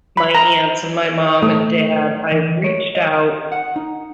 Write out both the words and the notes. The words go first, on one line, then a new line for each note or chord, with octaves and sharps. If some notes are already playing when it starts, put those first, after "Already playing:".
my aunts and my mom and dad, I've reached out
B5
A#5
A3
E3
C#5
D#5
F#5
D#4